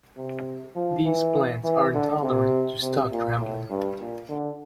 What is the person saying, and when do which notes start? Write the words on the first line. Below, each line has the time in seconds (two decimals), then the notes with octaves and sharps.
These plants are intolerant to stock trampling.
0.17 C3
0.76 F3
1.04 E3
1.64 E3
1.94 D3
2.22 C3
2.82 C3
3.11 A#2
3.40 A2
3.70 G2
4.00 A#2
4.29 D3